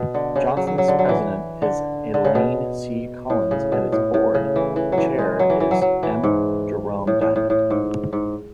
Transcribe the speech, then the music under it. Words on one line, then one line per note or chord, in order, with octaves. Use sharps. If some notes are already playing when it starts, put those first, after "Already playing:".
Johnson's president is Elaine C. Collins and its board chair is M. Jerome Diamond.
Already playing: B2
D3
C#3
F#3
F#3
F#3
D3
F#3
E3
D3
D3
C#3
B2
A2
C#3
B2
A2
A2
C#3
E3
E3
F#3
E3
G#3
F#3
E3
E3
F#3
F#3
E3
G#2
A2
A2
A2
A2
G#2
G#2